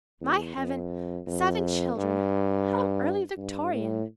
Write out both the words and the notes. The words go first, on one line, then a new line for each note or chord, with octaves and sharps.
"My heaven--seven children! How early Victorian!"
E2
F2
F2
G2
G2
A2